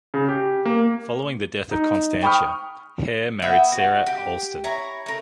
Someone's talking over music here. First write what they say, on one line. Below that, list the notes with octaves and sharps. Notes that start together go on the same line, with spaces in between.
Following the death of Constantia, Hare married Sarah Alston.
C#3
G4
A#3
D#4
G5 B5 C#6 D#6 F6
B3 E4 E5 G5
F#4
G4
E4 C#5 A#5
A3 A#4